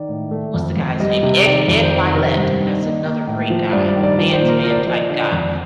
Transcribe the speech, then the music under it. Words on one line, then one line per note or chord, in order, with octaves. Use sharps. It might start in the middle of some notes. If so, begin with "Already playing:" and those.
what's the guy's name? Ed Ed Mylett, that's another great guy. Man's man type guy.
Already playing: D#3 D5
A2
A3
F2
F2
G3 D#5
C3
D#3 D5
F2
C5
D#3 D5
C3 A#4
G2 C5
D#3
D5
A#3 D#5
A#3
A2
F3
G2 D5
D5
D#3
D5
F3 D5
C5
A#2
A#4
C5
F3 A#4
D5
C5
F3 D#5
D5
D3 D#5
D5
F2
D5